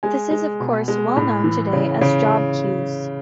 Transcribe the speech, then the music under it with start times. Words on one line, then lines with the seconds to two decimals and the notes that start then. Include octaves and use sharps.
This is of course well known today as job queues.
0.03 G#3 G#5
0.31 G#3
0.60 B2
0.88 G#3
1.17 A2
1.44 E3
1.73 C#3
2.01 C#3